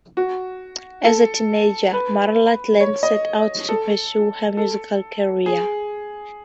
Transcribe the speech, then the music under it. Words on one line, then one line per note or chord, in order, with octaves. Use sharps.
As a teenager, Marla Glen set out to pursue her musical career.
F#4
A4
B4
C#5
D#5
A4
A4
G#4